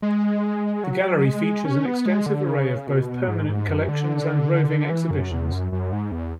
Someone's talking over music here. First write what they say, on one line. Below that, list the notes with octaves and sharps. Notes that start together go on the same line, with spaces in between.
The gallery features an extensive array of both permanent collections and roving exhibitions.
G#3
F#3
G#3
C#4
B3
G#3
D3
C#3
B2
G#2
G#2
F#2
D3
E3
F#2
E2
F#2
F#2
G#2
E2